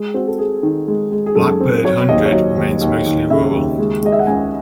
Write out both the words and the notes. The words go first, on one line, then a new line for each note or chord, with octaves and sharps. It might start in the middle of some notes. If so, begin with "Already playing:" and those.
Blackbird Hundred remains mostly rural.
Already playing: G#3 G#4
C4 F#4
A4
C4 G#4
D#3
G#3
G#3
G#4
F#2 A4
C4
F#3 C#5
D#2 D#5
C#5
F#3 D#5
D#2
D#2
D#2
C#3 E5
D#2
G#3
G#3 D#5
E5
F#5
C#2 G#5